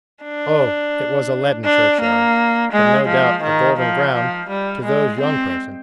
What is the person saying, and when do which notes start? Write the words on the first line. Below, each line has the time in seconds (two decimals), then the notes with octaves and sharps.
O it was a leaden churchyard, but no doubt a golden ground to those young persons!
0.24 D4
1.65 D4
2.01 A#3
2.72 G#3
3.08 F3
3.43 D#3
3.79 F3
4.14 F3
4.49 G3
4.85 G#3
5.21 C4